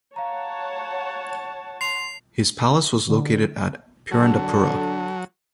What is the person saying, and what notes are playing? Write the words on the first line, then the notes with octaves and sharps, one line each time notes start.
His palace was located at Purandarapura.
C#5 F5 F#5 A5 A#5
C6 C7 F7
D3
D3 F#3 A5